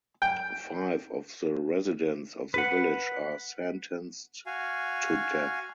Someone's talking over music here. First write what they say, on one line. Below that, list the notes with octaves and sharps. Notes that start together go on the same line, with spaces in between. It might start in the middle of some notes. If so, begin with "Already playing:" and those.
Five of the residents of the village are sentenced to death.
G5
B4 F#5
F#4 F5 G#5